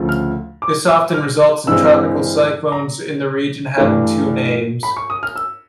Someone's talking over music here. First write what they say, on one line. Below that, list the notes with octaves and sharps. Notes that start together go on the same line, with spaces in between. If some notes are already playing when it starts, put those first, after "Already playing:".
This often results in tropical cyclones in the region having two names.
Already playing: D2 C#3 F3 A3
F6
D6
E6
F6
G2 E3 G#3 C4 E6
A#5
G2 E3 A3 D4
B5
C#6
D#6
F6
E6